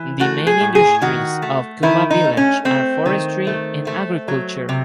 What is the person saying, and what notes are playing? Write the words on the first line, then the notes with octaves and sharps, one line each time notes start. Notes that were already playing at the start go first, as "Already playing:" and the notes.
The main industries of Kuma Village are forestry and agriculture.
Already playing: E3
A3 F#4
G#4
A2
G#4
D#3 F#4
A3
D#3 E4
D#4
A3
C#4
A3 C4
D#3
A3
A3
F#3
C3